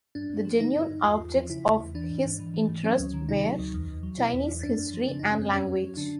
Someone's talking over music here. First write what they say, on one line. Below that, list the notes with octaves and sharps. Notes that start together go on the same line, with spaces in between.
The genuine objects of his interest were Chinese history and language.
G2 D4
G2
F3
D3 D#4
G2
G2
E2 F4
E2
F3
C#3 E4
E2
E2
E3 D4
G#2
G#2
E3
E3
G#2
F#3 C#4
D2
D#3
C3 D#4
F#3
D2
E2
E2
F#3
B2 E4
E2
E2
F#2 D4
F#2
F3
C#3 D4
F#2 D#4
C#4
F#2 C4
F2 C#4
F2
F#3
D3 D4